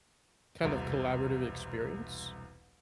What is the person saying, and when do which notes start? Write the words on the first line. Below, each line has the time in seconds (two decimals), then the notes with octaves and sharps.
kind of collaborative experience,
0.62 E1 C2